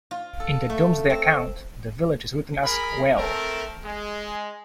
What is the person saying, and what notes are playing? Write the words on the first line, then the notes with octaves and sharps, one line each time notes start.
In the "Domesday" account the village is written as "Hwelle".
F4
A4
A3
C4
G#4 A#4 B5
A3 C4 A4 A#4
G#3